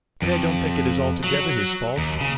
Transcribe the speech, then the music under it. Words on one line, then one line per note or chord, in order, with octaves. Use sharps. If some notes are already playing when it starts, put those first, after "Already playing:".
But I don't think it is altogether his fault.
F2
F#3
D#2
C#3